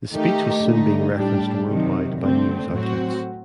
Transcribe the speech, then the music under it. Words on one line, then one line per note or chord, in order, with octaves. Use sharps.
The speech was soon being referenced worldwide by news outlets.
D#3 A3 D#4 G4
D3 A3 D#4
A2 G3 D4 G4
C3 D#3 F#3
D3 A3 C4
A2 F#3 C4 F#4